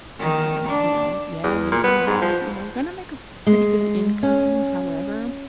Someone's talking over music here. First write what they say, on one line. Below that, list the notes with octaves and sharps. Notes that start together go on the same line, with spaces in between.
Um, you know, yeah, you're gonna have you know, you're gonna make a pretty good income, however,
D#3
D4
E2
A#2
B3
G#2
F3
G#3
C#4